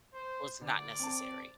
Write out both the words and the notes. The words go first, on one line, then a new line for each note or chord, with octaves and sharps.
was not necessary?
C5
D2 D5
C4 A5